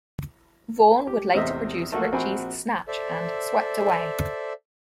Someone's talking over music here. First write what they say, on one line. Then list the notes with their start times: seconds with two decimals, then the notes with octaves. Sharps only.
Vaughn would later produce Ritchie's "Snatch" and "Swept Away".
1.07 G4
1.34 A1 E2 C3 C5 D#5 E5
1.92 A3 A#3 F#4
2.12 A#1 C4 F#4 G#5 B5
2.88 A4 C5 D5 E5